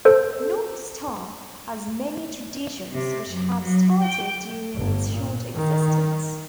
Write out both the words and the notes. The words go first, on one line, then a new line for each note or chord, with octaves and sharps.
North Star has many traditions which have started during its short existence.
A4 C5
C3
F#2
F#3
G5
G1
A#2
D#3